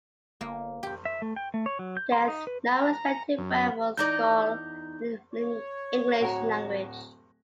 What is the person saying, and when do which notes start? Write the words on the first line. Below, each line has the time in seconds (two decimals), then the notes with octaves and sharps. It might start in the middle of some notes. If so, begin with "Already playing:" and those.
There is no respective word for Schorle in the English language.
0.41 G1 A#3
0.83 G4
1.05 E5
1.22 A3
1.36 G5
1.54 A3
1.66 C#5
1.79 F#3
1.97 G6
2.12 C6
2.28 D#4
2.47 B4
2.72 A#5
2.93 A#5
3.38 F#2
3.97 E2 D#4 D5 G6
5.33 C#5
6.20 D1 F#4 A#5